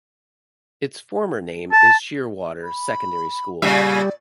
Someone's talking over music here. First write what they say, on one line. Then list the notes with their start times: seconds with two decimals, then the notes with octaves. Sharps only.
Its former name is Sheerwater Secondary School.
1.72 A5
2.63 B5
3.62 A#2 C#3 G3 D5 E5